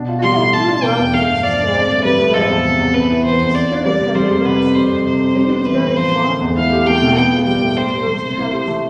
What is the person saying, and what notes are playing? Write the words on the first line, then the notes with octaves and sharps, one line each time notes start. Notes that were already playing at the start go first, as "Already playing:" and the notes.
And after awhile Phrixus died, and was buried, but his spirit had no rest; for he was buried far from his native land, and the pleasant hills of Hellas.
Already playing: B2 D4
F4
G3 C6
A2
A3 A5
D4
B2 G5
E2
A3 F5
G2
F3 D5
G2
C4
A2
G3 B4
A2
F3 A4
E2
C3
E2
B3 B4
E4
E3 C5
F2
C4 D5
F4
G3 D5
C3
G3 C5
F2
C3 B4
F2
G3 C5
F2
C3 C5
F2
G3
B3
E3 B4
A2
F3 C5
A3
D3
E2
E4 F5
G4
A3 G5
B2
B3 G5
F4
G3 G5
A2
D4 C5
G4
G3
C3
E4
G4
A3